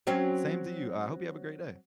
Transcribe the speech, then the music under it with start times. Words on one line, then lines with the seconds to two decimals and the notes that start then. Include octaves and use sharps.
Same to you, I hope you have a great day.
0.07 F#3 C4 C#4